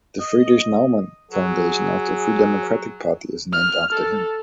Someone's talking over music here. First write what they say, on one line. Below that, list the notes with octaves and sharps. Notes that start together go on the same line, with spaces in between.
The Friedrich Naumann Foundation of the Free Democratic Party is named after him.
D#5
F#3 G#4
F6
A4